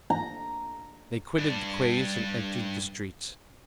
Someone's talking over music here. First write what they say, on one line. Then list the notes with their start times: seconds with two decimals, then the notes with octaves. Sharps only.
They quitted the quays and entered the streets.
0.10 A#5
1.39 G2 D4